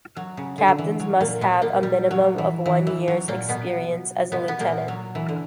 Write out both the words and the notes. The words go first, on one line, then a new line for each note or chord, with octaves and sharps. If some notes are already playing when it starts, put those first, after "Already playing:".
Captains must have a minimum of one year's experience as a lieutenant.
F#3
C#3
D3
D3
E3
F#3
A#2 A#3
B2 B3
A#2 A#3
G3
F#3
E3
E3
E3
F#3
A#2 A#3
B2 B3
B2 B3
B3
A#2 A#3
F#3
E3
D3